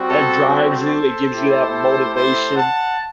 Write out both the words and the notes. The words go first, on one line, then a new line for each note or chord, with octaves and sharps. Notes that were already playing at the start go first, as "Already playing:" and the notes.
that drives you, it gives you that motivation.
Already playing: G3 C4 F#4
A4
A4 C5
A3 E4 G4
A4 C5
F#5 A5